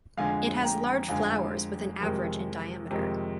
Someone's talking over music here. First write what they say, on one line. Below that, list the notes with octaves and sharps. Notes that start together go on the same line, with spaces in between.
It has large flowers with an average in diameter.
F2 D3 G#3 F5 G#5
G5 A#5
F2 D3 G#3 F5 G#5
F2 C3 D#3 G#3
F2 C3 D#3 G#3